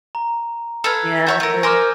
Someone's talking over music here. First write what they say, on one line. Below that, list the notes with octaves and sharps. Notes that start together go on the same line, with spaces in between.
Yeah, true.
A#5
A4 B4 F5 E6 G#6
F#4 C#5 E5 G6
A3 A#4
A#4 C5 G#5 D6 F6